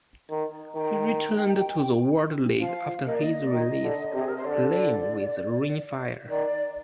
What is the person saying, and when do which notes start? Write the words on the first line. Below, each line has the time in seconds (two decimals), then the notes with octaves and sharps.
He returned to the World League after his release, playing with Rhein Fire.
0.30 D#3
0.75 D#3 G5
2.60 F3 F5
3.07 A#3 D#5
3.14 D5
3.23 D#5
3.47 D5
3.52 D#3 D#5
3.83 D3
4.13 C3 G4
4.21 G#4
4.28 A#4
4.37 C5
4.45 D3 D5
6.30 D#3 D5